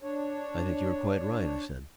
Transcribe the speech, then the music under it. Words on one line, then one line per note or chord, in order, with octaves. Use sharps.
"I think you are quite right," I said.
D4 C#5